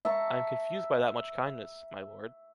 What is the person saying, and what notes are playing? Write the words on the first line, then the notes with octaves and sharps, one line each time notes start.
I am confused by that much kindness, milord.
E5 A5 A#5 C#6